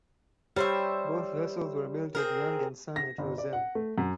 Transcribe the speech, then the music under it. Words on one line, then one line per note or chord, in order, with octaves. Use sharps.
Both vessels were built at Young and Son at Rozelle.
G3 G4 C5 C#5 E5
C4 G#4 A#4
A#6
G1
D5
F#5
A3
F#2